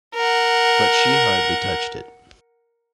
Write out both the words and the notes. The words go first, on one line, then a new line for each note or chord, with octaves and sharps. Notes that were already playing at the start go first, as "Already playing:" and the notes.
But she hardly touched it.
A#4 F#5